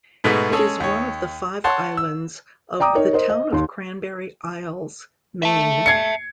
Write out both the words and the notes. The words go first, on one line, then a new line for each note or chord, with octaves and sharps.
It is one of the five islands of the Town of Cranberry Isles, Maine.
G#2 B2 A3 B3 F#4 G#4
G#3 C#4 G#4 A4
D#2 C#5
C#5 F#5 A5 C6
E6
D5 G5 A#5 D6 D#6
D#4 A#4 C#5 D#5
A#4 C5 D#5
D#5
D#2 C6
E5 A5
G#6 C7 C#7